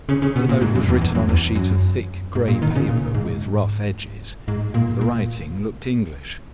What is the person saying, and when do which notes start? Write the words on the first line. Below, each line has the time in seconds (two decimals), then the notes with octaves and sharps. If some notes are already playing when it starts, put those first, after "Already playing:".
The note was written on a sheet of thick grey paper, with rough edges; the writing looked English.
0.09 C#3
0.22 C#3
0.36 B2
0.49 A#2
0.61 G#2
0.75 F#2
0.89 E2
1.01 E2
1.15 F#2
1.29 E2
1.55 F#2
2.35 G#2
2.48 A#2
2.62 D#3
2.75 C#3
2.89 A#2
3.14 G#2
4.48 G#2
4.74 A#2
5.01 A#2